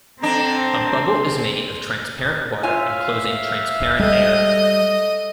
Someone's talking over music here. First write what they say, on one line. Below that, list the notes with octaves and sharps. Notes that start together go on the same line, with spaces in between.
A bubble is made of transparent water enclosing transparent air.
D3 C4 D4 A#5
C6
F4 C#5 E5 F5 G#5
G3 A3 D#5 D#7